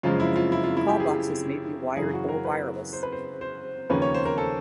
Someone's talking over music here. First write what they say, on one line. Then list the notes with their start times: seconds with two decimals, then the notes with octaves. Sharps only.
Call boxes may be wired or wireless.
0.03 F#2 C#3 F3 G#3 F4
0.20 E4
0.36 F4
0.52 E4
0.64 F4
0.77 E4
0.88 G4
1.00 G#4
1.97 F#2 C#3 E3 G#4
2.13 F#4
2.29 A#4
2.45 B4
2.93 C5
3.03 B4
3.12 C5
3.41 C5
3.90 D#2 C#3 F3 A#3 C#4 B4
4.02 C#5
4.14 C5
4.25 A#4
4.38 A4